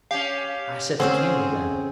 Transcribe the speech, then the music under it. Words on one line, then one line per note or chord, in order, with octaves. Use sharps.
I set the candle down.
C#4 G4 F5
D3 C4 C#4 G#4 C5